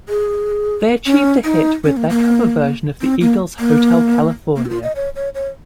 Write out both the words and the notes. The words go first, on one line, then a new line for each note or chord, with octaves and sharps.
They achieved a hit with their cover version of The Eagles' "Hotel California".
G#4
C#4
D#4
C#4
A#3
A#3
C4
A#3
A#3
A#3
F#4
F4
D#5
C#5
C#5
C#5